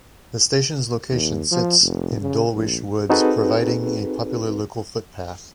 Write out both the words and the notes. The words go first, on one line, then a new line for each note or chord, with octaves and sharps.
The station's location sits in Dulwich Woods, providing a popular local footpath.
D#2
F3
F1
C#3
A#1
C4 D#4 F#4 G#4 A4 B4